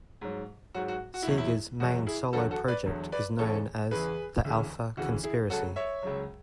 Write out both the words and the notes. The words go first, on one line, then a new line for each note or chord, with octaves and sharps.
Sega's main solo project is known as The Alpha Conspiracy.
G#2 F#3
G#2 F#3 F#4
F#4
F#4
E4
E2 B2 F#3
E4
E2 B2 F#3 F#4
E4 G#4
E2 D3 F#3 F#4 A4
F#4 A4
B4 D5
E2 D3 F#3
B4 D5
E2 C#3 E3 A4 C#5
E2 C#3 E3 G#4 B4
D2 C#3 E3
D2 C#3 E3 F#4
E4 G#4
C#2 C#3 F#3 F#4 A4
C#5 E5
C#2 C#3 F#3